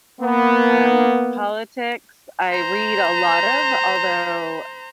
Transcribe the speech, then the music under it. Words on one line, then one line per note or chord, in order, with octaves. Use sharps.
Um, politics I read a lot of, although
A#3 B3
C5 A#5